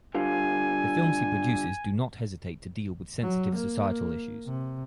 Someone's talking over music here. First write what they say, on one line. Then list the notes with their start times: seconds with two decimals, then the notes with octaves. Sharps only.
The films he produces do not hesitate to deal with sensitive societal issues.
0.15 D3 G3 F4 G#5
3.21 F#3
3.56 A#3
4.46 C3